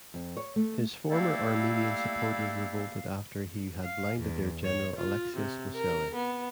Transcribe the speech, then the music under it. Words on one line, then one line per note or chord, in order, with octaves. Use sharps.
His former Armenian supporters revolted after he had blinded their general Alexios Mosele.
F2
C#5
A3
G3 A3 A#3 E4 A4 F5
F5
E2
C#5
F4
C3
A#4
B3